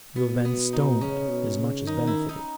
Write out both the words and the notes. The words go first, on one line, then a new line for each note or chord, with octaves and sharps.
You have been stoned as much as benefited.
B2 B3
B3
D#4
C#3 C#4
B2
C#3
D#3 D#4
E4
D#4